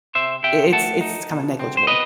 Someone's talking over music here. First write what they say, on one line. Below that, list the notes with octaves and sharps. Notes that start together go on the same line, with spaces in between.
i it's it's kinda negligible.
C3 C5 E5
C3 E5 G5
A3 F#5 A5
D#4
B2
C4
C5
B3 B4 D#5